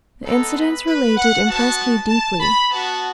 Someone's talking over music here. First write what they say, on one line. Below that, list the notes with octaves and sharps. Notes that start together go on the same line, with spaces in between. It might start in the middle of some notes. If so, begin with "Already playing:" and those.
The incidents related impressed me deeply.
G#3 B3 D#4 A4
B4
B4
F#5
B3 F#4 A5
A5
B5
B3 F#4 A5